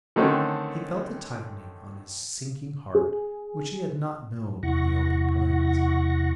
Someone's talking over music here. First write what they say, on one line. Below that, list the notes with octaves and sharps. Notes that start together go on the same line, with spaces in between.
He felt a tightening on his sinking heart which he had not known on the open plains.
D3 D#3 A3 C4 C#4
G#4
E2 C3 E4 F#5 C#6 A#6